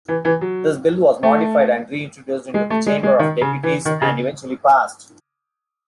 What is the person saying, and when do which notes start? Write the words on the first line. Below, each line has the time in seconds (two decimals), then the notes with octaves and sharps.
This bill was modified and reintroduced into the Chamber of deputies and eventually passed.
0.08 E3
0.25 E3
0.41 F#3
1.23 A3
2.54 G#3
2.70 A3
2.86 G#3
3.03 G#3
3.19 D#3
3.41 C#3
3.63 E3
3.85 D#3
4.02 C#3